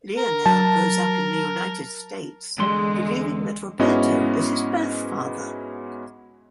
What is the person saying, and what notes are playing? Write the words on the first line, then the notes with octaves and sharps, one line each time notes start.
Leonel grows up in the United States believing that Roberto is his birth father.
A#4
F#3 A5
E2 D3 G#3 C6
G#2 B3 C#4 E4 F#4 D#5